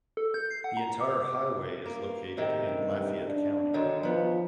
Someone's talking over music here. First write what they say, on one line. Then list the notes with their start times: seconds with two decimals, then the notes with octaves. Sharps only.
The entire highway is located in Lafayette County.
0.17 A4
0.34 G6
0.51 C7
0.64 F#5
0.77 A#5
1.01 D6
1.85 A#3
2.37 A2 C3 D#3
2.78 G2
3.25 D4
3.74 D3 D#3 F#3
4.03 D#3 F3 B3